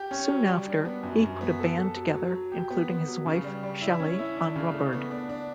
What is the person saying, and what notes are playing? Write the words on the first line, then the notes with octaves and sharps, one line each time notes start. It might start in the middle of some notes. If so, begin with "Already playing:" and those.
Soon after, he put a band together, including his wife, Shelly on rubboard.
Already playing: G4
C#4
F#3
G3
D4
B3
F#2
F#2
B3
A4
A4
F#3
F#3
F#3
G4
B3
B3
F#3
C#3
G3
G3
E4
C#4
E4
D4
C#3
A3
B3
D4
D4